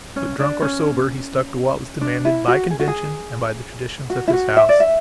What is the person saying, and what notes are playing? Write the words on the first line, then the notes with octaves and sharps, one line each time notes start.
But, drunk or sober, he stuck to what was demanded by convention and by the traditions of his house.
C#4
D4
C#4
D4
E4
F#4
G#4
F#4
G#4
F#4
E4
F#4
E5
D5
E5